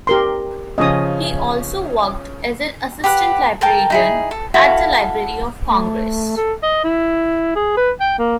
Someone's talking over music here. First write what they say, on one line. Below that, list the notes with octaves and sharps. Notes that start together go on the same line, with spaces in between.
He also worked as an assistant librarian at the Library of Congress.
G4 A#4 C6
C#3 F3 C#4 D#5 D#6
G4 B4 F#5
A4 A#4 G5 A5
D#4 E4 G#4
A4
E4 F#4 A4 F5
A3
A4
D#5
E4
G#4
B4
G5
A#3